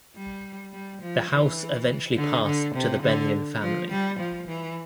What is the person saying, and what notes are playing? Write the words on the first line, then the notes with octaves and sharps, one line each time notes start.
The house eventually passed to the Benyon family.
G3
G3
F3
E3
D3
D3
C3
D3
F3
G3
F3
E3